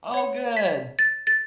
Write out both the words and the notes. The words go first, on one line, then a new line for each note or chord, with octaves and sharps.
Oh good.
C#5 F#5
B6
A6
A6